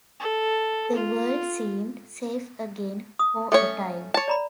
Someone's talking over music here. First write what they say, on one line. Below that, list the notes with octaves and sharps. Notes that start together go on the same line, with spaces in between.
The world seemed safe again, for a time.
A4
F4
D#6
A3 C#4 A4 C#5
C#5 A5
D5 A#5 B5